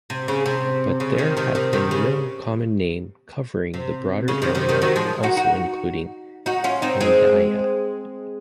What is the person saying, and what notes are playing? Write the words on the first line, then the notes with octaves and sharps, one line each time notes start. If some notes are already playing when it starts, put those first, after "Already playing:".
But there had been no common name covering the broader area also including Hendaia.
C3
C#3
C3
C#3
C3 D#3
C3 D#3
C3 D#3
C3 D#3
C#3
C3
C#3
C3 D#3
C3 D#3
C3 D#3
D#3 F#3
F3 G#3
D#4 F#4
D#4 F#4
D#4 F#4
C#4 F4
C4 D#4
G#3 C4